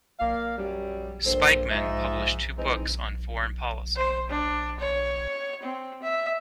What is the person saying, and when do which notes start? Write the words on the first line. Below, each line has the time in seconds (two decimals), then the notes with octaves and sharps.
Spykman published two books on foreign policy.
0.19 A#3 D5 F5
0.57 F#2 F#3 G3
1.25 G2 A#2 A4 C5
1.71 G#2 F3 D#5 E5
2.57 E3 G#3 C4 D#4
3.96 C5
4.30 D4
4.80 C#5
5.63 C4
6.03 E5